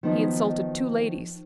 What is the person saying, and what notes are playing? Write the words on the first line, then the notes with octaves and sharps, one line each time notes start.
He insulted two ladies.
D#3 F3 F#3 B3 D#4